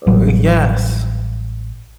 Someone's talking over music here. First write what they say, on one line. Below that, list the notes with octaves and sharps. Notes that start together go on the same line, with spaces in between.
Oh, yes,
A1 F#3 G3